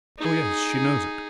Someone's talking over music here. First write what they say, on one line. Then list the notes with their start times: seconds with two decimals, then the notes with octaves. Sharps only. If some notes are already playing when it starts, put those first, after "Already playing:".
"Oh, yes, she knows it."
0.18 D#4 G#4